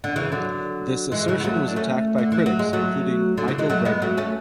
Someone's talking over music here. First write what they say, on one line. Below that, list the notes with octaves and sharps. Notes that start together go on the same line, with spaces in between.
This assertion was attacked by critics, including Michael Reagan.
D3
C#3 E3
D3 F#3
E3 G#3
C#3 E3
B3
F#3 A3
D4
A3 C#4
D3
E3
F#3
G#3
F#3 A3
D3 F#3
C#3 E3
E3 G#3
F#3 A3
G#3 B3
F#3 A3
A3 C#4